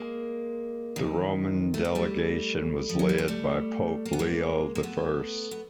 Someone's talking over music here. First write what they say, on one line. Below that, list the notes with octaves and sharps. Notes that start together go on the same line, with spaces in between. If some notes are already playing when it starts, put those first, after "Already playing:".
The Roman delegation was led by Pope Leo I.
Already playing: G#3 A#3
D#3 F3
A3
A#3
G3 A3
F3
F#3
G3
G#3
G3 A3
A#3
B3
G#3 A#3
A#3
A3 B3
B3